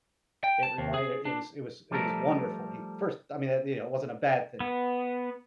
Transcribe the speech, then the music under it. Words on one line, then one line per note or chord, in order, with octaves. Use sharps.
it reminded it was it was it was wonderful, he first I mean, e you know, it wasn't a bad thing,
G5
A5
D#2
G#4
D4
F3 G3 A3 A4 A#4
B3